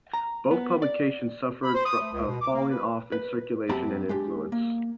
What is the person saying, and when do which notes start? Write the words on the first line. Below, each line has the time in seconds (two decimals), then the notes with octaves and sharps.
Both publications suffered a falling-off in circulation and influence.
0.14 A#5
0.51 B3
0.82 D5
1.63 B5
1.74 C5
1.85 D#6
1.99 A3
2.12 C#2
2.27 B2
2.41 D6
2.54 A#3
2.70 B4
3.12 B4
3.69 F#2 C4 G4 A5 B5
4.09 G#3 D4 G4
4.52 A#3